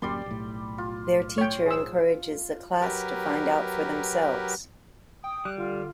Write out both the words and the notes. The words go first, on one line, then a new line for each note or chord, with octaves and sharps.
Their teacher encourages the class to find out for themselves.
D1 F#2 G3 A#3 D5 C6
B1 A2
F4
C#5 G5
G#4 C5 E6
F#3 G4 A#4 B4
G5 D#6
G3 F#6
D3 F4